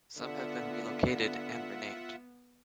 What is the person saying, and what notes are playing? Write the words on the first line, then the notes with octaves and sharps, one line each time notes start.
Some have been relocated and renamed.
D3 B3 F4 E5 F#5